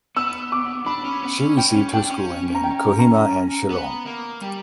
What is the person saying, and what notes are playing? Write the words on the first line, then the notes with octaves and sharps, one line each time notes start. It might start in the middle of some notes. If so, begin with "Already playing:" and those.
She received her schooling in Kohima and Shillong.
B3 E6
D6
D4 B5
C#4
B3
C#4
C#4 G5
C#4
D4 G5
C#4
A#5
G5
A#5
B3
A#3
G3